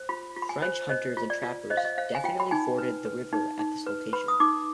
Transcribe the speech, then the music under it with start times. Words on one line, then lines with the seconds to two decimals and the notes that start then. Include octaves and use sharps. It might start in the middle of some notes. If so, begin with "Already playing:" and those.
French hunters and trappers definitely forded the river at this location.
Already playing: C5
0.09 F4 B5
0.36 F4
0.42 B5
0.49 G#5
0.62 C5
0.89 C5 D#5
1.17 F4
1.30 D5
1.43 F4
1.70 C5 D#5
1.77 F5
1.85 D#5
1.98 C5 F5
2.15 G#5
2.24 F4 G5
2.40 B5
2.51 D#4 G#5
2.78 B4
3.05 B4
3.32 D#4
3.59 D#4
3.87 B4
4.13 B4 B5
4.28 D#6
4.40 D#4 D6